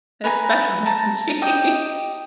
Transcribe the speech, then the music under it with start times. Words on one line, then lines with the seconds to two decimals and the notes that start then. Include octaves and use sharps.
It's special mac and cheese.
0.24 B4 G#5 A#5
0.86 A5 A#5
1.42 G4 D#5 G5 D#6